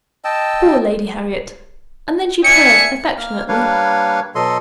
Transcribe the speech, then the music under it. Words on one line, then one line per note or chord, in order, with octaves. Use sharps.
"Poor Lady Harriet!" and then she purred affectionately.
D#5 G5 A5 E6
D4 E5 G#5 C#7
A#3 F6
G3 A#3 D4 B4 C#5 F5
B2 F#3 A4 D#5 C6